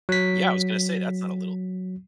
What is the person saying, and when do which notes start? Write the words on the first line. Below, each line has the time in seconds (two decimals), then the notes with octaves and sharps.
Yeah, I was gonna say that's not a little thing.
0.09 F#3 B6